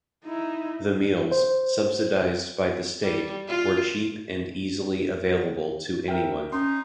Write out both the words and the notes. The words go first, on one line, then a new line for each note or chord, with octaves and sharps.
The meals, subsidized by the state, were cheap and easily available to anyone.
D#4 E4
C5
G3
F4
A#4 E5 G5
C#4 D#4 C6